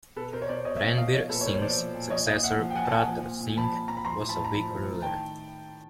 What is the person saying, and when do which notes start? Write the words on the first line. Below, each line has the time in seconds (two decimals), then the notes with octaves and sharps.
Ranbir Singh's successor Pratap Singh was a weak ruler.
0.16 B2 A4 B4
0.33 B2 A#4 C5
0.42 C#5
0.49 B2 C5 D5
0.65 B2 C#5 D#5
0.76 E5
0.81 B2 D#5 F5
0.97 B2 D#5 F5
1.13 F3 C#5 D#5
1.29 A#2 A4 B4
1.41 C#5
1.46 A#2 A#4 C5
1.54 C#5
1.62 F3 C5 D5
1.78 F3
1.94 A#2
2.10 F3 C#5 D#5
2.27 A#2 D#5 F5
2.44 A#2 E5 F#5
2.59 F3
2.70 G5
2.75 F3 F#5 G#5
2.85 A5
2.91 A#2 F#5 G#5
3.08 F3
3.24 A#2
3.40 A#2
3.57 F3 A5 B5
3.72 F3
3.88 A#2 A#5
3.97 B5
4.05 F3 A#5 C6
4.22 A2
4.29 A5 B5
4.38 A2
4.45 A#5
4.53 F3 A5 B5
4.71 F3
4.87 A2
5.02 D#3 G5 A5